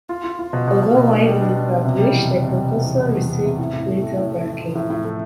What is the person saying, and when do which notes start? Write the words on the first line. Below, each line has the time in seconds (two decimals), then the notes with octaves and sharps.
Although widely published, the proposal received little backing.
0.09 F4
0.24 F4
0.39 F4
0.53 B2
0.67 B2
0.83 B2
0.96 B2
1.11 D4
1.26 G3
1.41 D4
1.55 D4
1.70 B2
1.84 C3
1.99 G3
2.13 E2
2.28 G3
2.42 C3
2.57 G3
2.71 C3
2.86 E2
3.01 B3
3.15 E2
3.30 B3
3.45 C3
3.59 A2
3.73 A2
3.88 A3
4.02 A3
4.17 A2
4.32 A3
4.47 A2
4.61 F3
4.75 A2
4.90 A2
5.05 A3